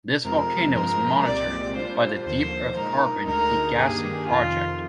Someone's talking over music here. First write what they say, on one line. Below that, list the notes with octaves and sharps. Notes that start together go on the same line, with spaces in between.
This volcano is monitored by the Deep Earth Carbon Degassing Project.
F2 C3 F3 G#3 C4 A#4
G2 F3 G#3 C4 A#4
C2 A#2 G#3 C4 G4 D5
A#2 G3 D4 F4 C5
D#2 D3 F3 A#3 C5
A#2 G#3 D#4 A#4
D2 D3 G#3 D#4 A#4
G2 D#3 A#3 D4 G4 G#4
F2 C3 D#3 F4